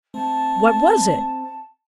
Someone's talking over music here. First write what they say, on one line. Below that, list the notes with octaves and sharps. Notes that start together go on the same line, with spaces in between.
What was it?
A3 C4 A5